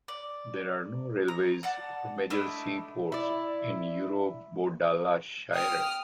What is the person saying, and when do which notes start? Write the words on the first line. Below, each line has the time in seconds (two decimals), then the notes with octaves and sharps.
There are no railways or major seaports in Eurobodalla Shire.
0.08 D5
1.28 A#5
1.63 D5 F#5 A5
2.30 A3 D4 E4 D#5
3.12 E4 D5
5.54 G5 D#6 F6